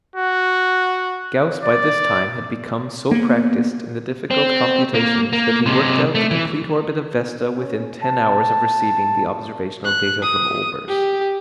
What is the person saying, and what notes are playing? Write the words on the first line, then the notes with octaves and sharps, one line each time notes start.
Gauss by this time had become so practised in the difficult computations that he worked out the complete orbit of Vesta within ten hours of receiving the observational data from Olbers.
F#4
D5
A#3 B3
C4
A#3
A#3
C3 G#3
A3
E3
C#4
A5
F#6
D#6
G4